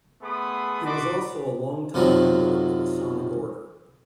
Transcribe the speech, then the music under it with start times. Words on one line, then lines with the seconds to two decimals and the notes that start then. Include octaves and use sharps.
He was also a long-time member of the Masonic Order.
0.22 A3 B3 G#4 B5 C6 D#6
0.85 D#4 F#4 D5 B5 C6 D6
1.94 F#2 C3 D#3 F3 F#3